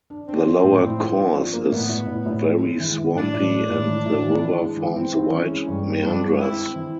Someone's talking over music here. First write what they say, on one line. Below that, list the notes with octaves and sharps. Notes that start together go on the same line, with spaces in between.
The lower course is very swampy and the river forms wide meanders.
D4
C4 D4
F3
A2
A2
F3
D4
F3
A#3
A2 B3
A2
A2
A2
G#3
G#3
E3
E3
A2 D4
A2
G#3
A2
E3
A2
E3
E3
G#3
E3
C4
E3
E3 C#4
G#3
G2
C4
G2 D4
G#3
C4 E4
C4
E3